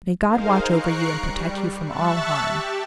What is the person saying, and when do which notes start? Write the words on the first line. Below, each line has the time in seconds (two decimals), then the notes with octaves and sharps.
May God watch over you and protect you from all harm.
0.24 D#4 G#4 A#4 C5 F5
0.70 A#5 C#6 F#6 C7 D7
1.19 G3
1.86 E5 A5 C#6 E6 F#6 A6
2.45 G4